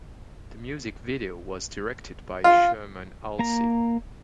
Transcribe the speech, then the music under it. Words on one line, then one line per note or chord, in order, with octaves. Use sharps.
The music video was directed by Sherman Halsey.
F4
A#3 A#5